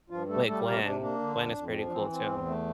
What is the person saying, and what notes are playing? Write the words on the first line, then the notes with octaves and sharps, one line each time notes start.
with Gwen. Gwen is pretty cool too.
G2 F3 F4
G3 A3 A4
G3 A3 A4
C3 A#3 A#4
C3 D4
A#3 D4
D3
F2
F2
F3
D4
E3 C4
C4
E2
A3